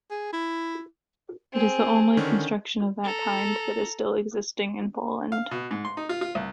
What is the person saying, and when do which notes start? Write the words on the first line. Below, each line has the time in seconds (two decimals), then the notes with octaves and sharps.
It is the only construction of that kind, that is still existing in Poland.
0.11 G#4
0.33 E4
1.53 C4 G#4
2.17 D3 D#3 C#4
3.04 A4 A#5
5.32 F5
5.51 B2
5.71 G#2
5.85 C6
5.97 D#4
6.09 F4
6.21 F4
6.35 C2